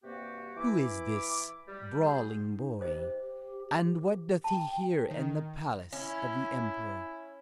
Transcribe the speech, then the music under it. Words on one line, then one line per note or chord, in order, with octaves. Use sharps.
"Who is this brawling boy, and what doth he here in the palace of the emperor?"
G2 C3 A#3 F#4 G4
E3 E4 D6
G3
F#4 G#4 C5
D#4
G4 C5 D#5
G5 A5
D#3
C#4 E4